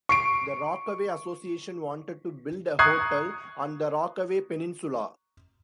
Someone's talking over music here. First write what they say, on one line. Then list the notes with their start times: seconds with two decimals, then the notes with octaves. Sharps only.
The Rockaway Association wanted to build a hotel on the Rockaway peninsula.
0.09 C#6 C7 D7
2.79 A#5 C#6 D#6 F#6 G#6 C7